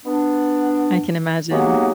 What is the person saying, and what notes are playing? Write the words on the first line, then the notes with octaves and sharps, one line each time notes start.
I can imagine.
B3 D4
F#3 G#3 A#3 B3 D#4 G4